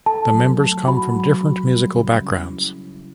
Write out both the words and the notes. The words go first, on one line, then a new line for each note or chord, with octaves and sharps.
The members come from different musical backgrounds.
A4 A5
F#3
A3
F#4 B5
F#3
F#4
G3
C#3
C#4
E4
E4